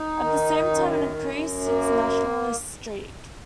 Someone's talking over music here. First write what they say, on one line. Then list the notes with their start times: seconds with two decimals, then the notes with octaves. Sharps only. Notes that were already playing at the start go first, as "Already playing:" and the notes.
At the same time, it increased its nationalist streak.
Already playing: D#4
0.23 D#3
0.71 F#2
1.17 F#2
1.65 A#3